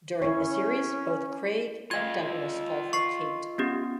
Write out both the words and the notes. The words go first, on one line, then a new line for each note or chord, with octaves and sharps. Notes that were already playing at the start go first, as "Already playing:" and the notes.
During the series, both Craig and Douglas fall for Kate.
C#4 E4 C#5
F4 D#5 F5 G#6
C#6 C7
B3 C#4 G4